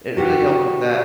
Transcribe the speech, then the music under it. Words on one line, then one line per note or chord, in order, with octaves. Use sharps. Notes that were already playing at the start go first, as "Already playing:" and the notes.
it really helped with that.
F#4 G4 B4 F#5